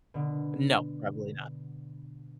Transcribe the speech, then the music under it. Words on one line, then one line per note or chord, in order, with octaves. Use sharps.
No. Probably
B2 D3